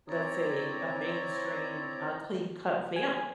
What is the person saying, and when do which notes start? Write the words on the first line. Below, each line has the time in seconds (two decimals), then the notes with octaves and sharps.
let's say, a mainstream, a clean-cut family.
0.08 C4 E4 C#5 D5 A#5
2.96 G#5